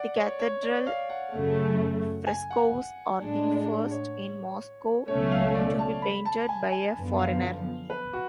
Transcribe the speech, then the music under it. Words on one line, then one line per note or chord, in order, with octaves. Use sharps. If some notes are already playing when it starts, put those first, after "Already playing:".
The cathedral frescoes are the first in Moscow to be painted by a foreigner.
Already playing: D5 F#5
C#5
C#5
D5
F5
F#5
F#2 C#3 F#3 A3
G#5
F#5
A2 G#3 D4
C#5
C#2 B2 F#3 A3 C#4 C#5
F5
D5
A5
B5
A5
G#5
G#5
F#2 D3 F3 B3
F5
B4
F#4